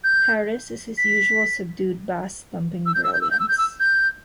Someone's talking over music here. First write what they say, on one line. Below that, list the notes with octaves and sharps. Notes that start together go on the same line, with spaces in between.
Harris is his usual subdued bass thumping brilliance.
G6
B6
E6
G6
E6
G6
E6
G6
E6
G6
E6
G6